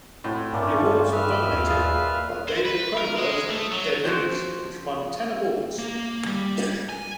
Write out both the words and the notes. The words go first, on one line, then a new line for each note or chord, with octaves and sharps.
The awards were dominated by David Cronenberg's "Dead Ringers" which won ten awards.
A2 C4 F#4
G2 A3 A#3 C#4 D4 F4 A5
G3
B4 D#5 E5 F#5 F6
D#2
A#2 F4 G#4
C5
B4
A#4
G#3
A3
F#3
F3 F4 F#4 C5
A#3
G3
G#5